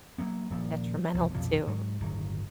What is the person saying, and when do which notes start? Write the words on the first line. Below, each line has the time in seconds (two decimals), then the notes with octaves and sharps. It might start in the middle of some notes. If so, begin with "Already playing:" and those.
detrimental to
0.18 F#3 G#3 A#3 B3
0.50 D#1 A#2 F3
1.14 F1 B1
1.34 B1 F2 A#2 F3
1.67 G#2 F#3
2.01 D1 G1 D#3 F#3